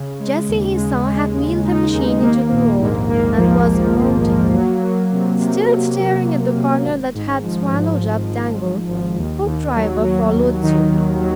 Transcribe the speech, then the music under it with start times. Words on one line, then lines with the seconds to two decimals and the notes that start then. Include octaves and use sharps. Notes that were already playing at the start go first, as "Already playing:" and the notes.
Jessie, he saw, had wheeled her machine into the road and was mounting. Still staring at the corner that had swallowed up Dangle, Hoopdriver followed suit.
Already playing: C#3
0.19 G#3
0.48 D#2
0.77 G#3
1.06 G#3
1.35 D#2
1.64 D#4
1.94 D#2
2.22 A#3
2.51 A#1
2.79 G#2
3.09 A#3
3.37 F3
3.67 A#1
3.96 A#1
4.25 A#3
4.54 F#3
4.82 F#3
5.12 C3
5.41 C3
5.69 F#3
5.99 F#3
6.27 C3
6.56 C3
6.85 G#1
7.15 G#2
7.43 F3
7.72 G#1
8.02 G#1
8.31 G#1
8.60 G#2
8.89 G#1
9.18 D#2
9.47 D#2
9.75 F#3
10.04 F#3
10.34 D#2
10.63 D#3
10.91 D#2
11.20 F#3